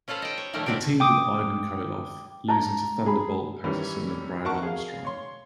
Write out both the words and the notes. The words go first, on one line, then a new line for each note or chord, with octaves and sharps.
He teamed with Ivan Koloff, losing to Thunderbolt Patterson and Brad Armstrong.
C#4 F4 A4 B4 C5
D#5 G5
C#5
A#2 D#3 F3 G3 A3 A#3
A2 D3 D#3 C4 D4 G4
G5 D6 D#6
A5 A#5
G#4 B5
D#3 E3 G3 C#4
F#4 A#4 F#5 A5 C#6
G#4 F5
C#5 C6